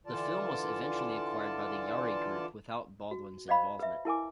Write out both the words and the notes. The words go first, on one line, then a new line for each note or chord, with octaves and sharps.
The film was eventually acquired by The Yari Group without Baldwin's involvement.
D3 E3 F4 D5 A5
F#4
C5 D5 D#5 F5 B5
B4 E5
E4 A#4 G#5 D6